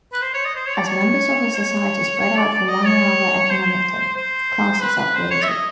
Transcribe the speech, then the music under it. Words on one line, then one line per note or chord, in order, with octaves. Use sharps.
As members of a society spread out from one another economically, classes are created.
B4
C5
C#5
D#5
C5
C#5
D5
C#5
C#5
C#5
D5
D5
D#5
C#5
C5
C5
B4
B4
C5
C#5
E5
D#5